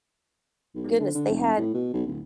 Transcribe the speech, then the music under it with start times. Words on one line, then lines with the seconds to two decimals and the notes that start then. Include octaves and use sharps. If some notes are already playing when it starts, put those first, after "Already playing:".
goodness, they had
0.75 B1
1.00 D3
1.15 D3
1.29 F1
1.58 A2
1.74 B2
1.94 B1
2.07 D1